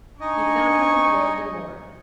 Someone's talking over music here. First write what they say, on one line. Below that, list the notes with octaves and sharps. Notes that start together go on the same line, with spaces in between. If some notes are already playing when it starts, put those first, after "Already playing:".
He found him with Lord de Warenne.
D4 D#4 D#5 G#5 C#6